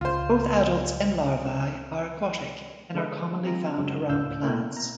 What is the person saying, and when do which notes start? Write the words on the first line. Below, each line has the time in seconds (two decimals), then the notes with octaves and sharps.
Both adults and larvae are aquatic, and are commonly found around plants.
0.01 C#2 F4 C5
2.95 D3 G#3 B4 D#5
3.43 G#3 C4 F4 A#5
3.78 F#2 C#3 F#3 G#3
4.10 D2 A2 F5 E6 G6
4.43 A3 A#3 E4 A#4 G5
4.77 A#5